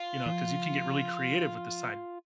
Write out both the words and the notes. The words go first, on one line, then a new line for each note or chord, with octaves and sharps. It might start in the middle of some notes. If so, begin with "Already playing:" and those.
You know, 'cause you can get really creative with the side
Already playing: F4
E3
F3